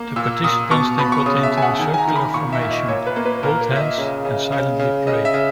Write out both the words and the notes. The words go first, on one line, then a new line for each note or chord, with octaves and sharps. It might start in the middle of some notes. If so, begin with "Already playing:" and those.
The participants then get into a circular formation, hold hands, and silently pray.
Already playing: A#3
A#2 E6
A#2 D#6
B2 C#6
B2 B5
C#6
C#3 D#6
E5
C#3 G#5
F#5
D#3 G#5
G#5
A#5
D#3
B5
A#2 C#6
E5
A#2
D#5
A#2 C#5
B4
A#3
B4
A#2 A#4
A#4
A#2 E5
D#5
C#3
C#3
C#3
C#3
C#3 D#5
E5
C#3